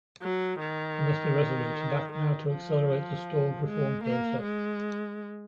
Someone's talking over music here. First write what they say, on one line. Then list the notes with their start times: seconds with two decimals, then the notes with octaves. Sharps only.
We must be resolute and act now to accelerate the stalled reform process.
0.22 F#3
0.59 D#3
2.13 D#3
2.50 F3
3.66 G#3
4.04 A#3
4.42 G#3